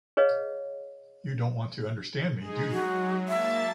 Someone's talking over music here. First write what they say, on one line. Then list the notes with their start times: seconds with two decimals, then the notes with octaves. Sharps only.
You don’t want to understand me, do you?
0.17 G#4 B4 C#5 D#5 F5
2.40 G#3 D#4 G#4
2.71 F#3 F#4
3.28 A#3 E5 A5 A6